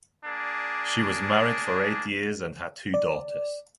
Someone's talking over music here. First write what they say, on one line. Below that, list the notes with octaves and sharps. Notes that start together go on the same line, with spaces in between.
She was married for eight years and had two daughters.
A#3 D4 G#4 D5
D5